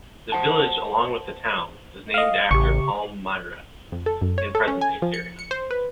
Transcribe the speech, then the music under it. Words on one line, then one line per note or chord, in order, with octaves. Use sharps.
The village, along with the town, is named after Palmyra in present-day Syria.
C5 F#5 A5
D#5 F5
A1 C#3 G4 C#6
F2
A4
F#2
C#5
A4
C#4
G#5
F3
C#7
C#7
C5
B4